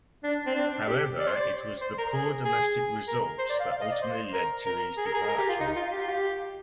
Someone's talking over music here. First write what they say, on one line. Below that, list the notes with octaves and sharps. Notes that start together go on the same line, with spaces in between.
However it was the poor domestic results that ultimately led to his departure.
D4
C4
D4
G4
D5
C5
D5
C5
A#4
G#4
G#4
A#4
C5
D5
F5
F5
D#5
D5
C5
A#4
A#4
G#4
A#4
G#4
A#4
G4
F4
D#4
F4
G4
F4
G4